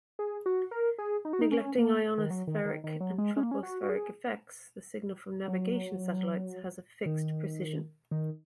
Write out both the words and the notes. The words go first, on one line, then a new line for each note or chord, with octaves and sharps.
Neglecting ionospheric and tropospheric effects, the signal from navigation satellites has a fixed precision.
G#4
F#4
A#4
G#4
D#4
F#4
D#4
C#4
A#3
D#3
F#3
D#3
D#3
D#3
F#3
G#3
C#4
A#3
C#4
F#4
F#4
G#4
F#3
D#3
D#3